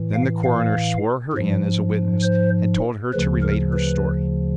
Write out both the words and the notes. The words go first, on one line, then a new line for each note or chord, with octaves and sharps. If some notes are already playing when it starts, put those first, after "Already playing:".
Then the coroner swore her in as a witness and told her to relate her story.
Already playing: A2 E3
F5
F5
G#2 F3
C5
D2 C#3 F3 B4
A#4
B4